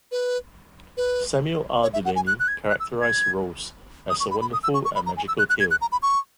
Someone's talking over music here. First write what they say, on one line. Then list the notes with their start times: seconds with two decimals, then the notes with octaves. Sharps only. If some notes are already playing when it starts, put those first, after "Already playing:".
Samuel R. Delany characterized "Rose" as a "wonderful and magical tale".
0.11 B4
0.97 B4
1.83 C#5
1.94 E5
2.05 F#5
2.16 G#5
2.27 F#6
2.40 F#6
2.48 G#6
2.70 F#6
2.80 E6
3.02 G#6
4.10 D#6
4.20 C#6
4.31 B5
4.41 B5
4.53 D#6
4.63 E6
4.74 C#6
4.85 C#6
4.95 B5
5.06 A#5
5.17 G#5
5.28 E6
5.39 F#6
5.49 F#6
5.60 G#6
5.71 F#6
5.81 A#5
5.92 B5
6.02 C#6